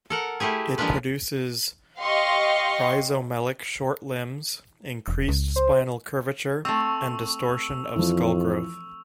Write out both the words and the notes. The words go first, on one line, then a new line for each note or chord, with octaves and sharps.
It produces rhizomelic short limbs, increased spinal curvature, and distortion of skull growth.
A4 A#4 F#5
A3 E4 G4 G#4
F3 G#3 A#3 D4 F4 B4
G4 D#5 F5 C6 C#6
E1
C#2
C5
A3 C4 C#6 E6 F7
F2 E3 F3